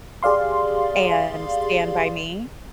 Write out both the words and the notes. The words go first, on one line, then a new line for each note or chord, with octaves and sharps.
and Stand By Me.
G4 G#4 D5 F5 C6